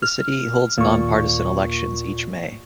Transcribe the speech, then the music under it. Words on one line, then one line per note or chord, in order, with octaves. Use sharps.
The city holds nonpartisan elections each May.
F6
D#2 A#2 C#6